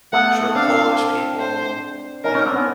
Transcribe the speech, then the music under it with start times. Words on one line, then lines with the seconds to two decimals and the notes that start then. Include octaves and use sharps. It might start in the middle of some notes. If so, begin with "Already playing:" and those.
Sure. Polish people. Yeah.
0.13 A3 B3 F#5
0.55 C4 D4 F5
1.40 C5
2.24 C#4 D#4 A#4
2.35 C#4 D#4
2.46 C4 D4
2.56 B3 C#4